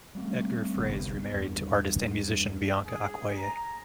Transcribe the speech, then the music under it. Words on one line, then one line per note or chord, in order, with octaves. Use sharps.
Edgar Froese remarried to artist and musician Bianca Acquaye.
G3 A3 A#3 C4
G1 C2 B2 B3
E2 G2
G#4
A#5